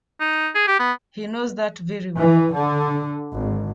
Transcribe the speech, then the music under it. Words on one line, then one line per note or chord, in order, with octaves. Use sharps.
He knows that very well.
D#4
G#4
G4
B3
E3
D3
G#1